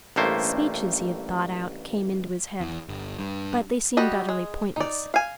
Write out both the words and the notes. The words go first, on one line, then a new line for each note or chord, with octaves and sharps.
Speeches he had thought out came into his head, but they seemed utterly pointless.
A1 G2 A3 A#3 C5
E2
G1
G2
G3 F#4 D#5
G#3
D#4 D5
F5 G#5